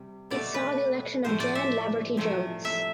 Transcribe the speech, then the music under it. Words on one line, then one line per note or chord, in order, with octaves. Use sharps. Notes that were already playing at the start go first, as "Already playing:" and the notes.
It saw the election of Jan Laverty Jones.
Already playing: C3 G3
B2 A3 D5
B4
A2 F3 A3 C5
D5
E5
C3 F3 A3
E5